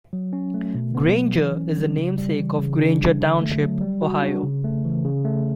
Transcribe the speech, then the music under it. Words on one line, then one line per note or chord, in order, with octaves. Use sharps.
Granger is the namesake of Granger Township, Ohio.
F#3
C#4
A3
B2
B3
F#3
E3
C#4
G3
C#3
G3
E3
C#3
D4
G3
D3
A3
F#3
G3
F#4
D4
C#3
A3
E3
C#3
A3